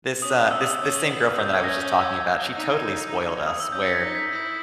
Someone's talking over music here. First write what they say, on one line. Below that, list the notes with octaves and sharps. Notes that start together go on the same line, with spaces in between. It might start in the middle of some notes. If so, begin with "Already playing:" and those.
This, uh this this same girlfriend that I was just talking about, she totally spoiled us where,
C#4 D#6
E6
D#6
E6
C#4
B3
C#4 G6
G#6
A#6
G#6
G6
E6
D#4
D#6
E6
C#4 G6
C#7
B6
D#4 A#6
B6
E4